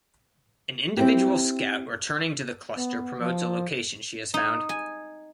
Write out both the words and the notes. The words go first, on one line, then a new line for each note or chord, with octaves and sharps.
An individual scout returning to the cluster promotes a location she has found.
C4 E4 G4
B3
F3
D#4
G#5